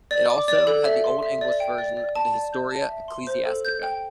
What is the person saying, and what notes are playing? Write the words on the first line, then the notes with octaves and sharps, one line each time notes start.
It also had the Old English version of the "Historia ecclesiastica".
D5
D6
D5
A4
E5
C6
E5
D5
G5
D5
D5
A5
D5
G6
A5
E5
C6
C5
A4
G6
G5